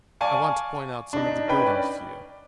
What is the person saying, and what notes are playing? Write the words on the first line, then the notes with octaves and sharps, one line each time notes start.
"I want to point out some of the buildings to you."
D5 F5 G#5 A5 C#6
D4 D#4
C#4 D#4 B4 G5 B5
D5